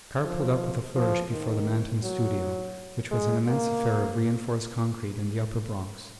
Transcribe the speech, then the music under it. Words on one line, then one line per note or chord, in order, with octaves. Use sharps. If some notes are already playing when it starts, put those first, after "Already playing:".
The car pulled up with a flourish before the Manton studio, which was an immense affair of reinforced concrete in the upper Bronx.
F3
F3
D#3
F#3
G#3
A#3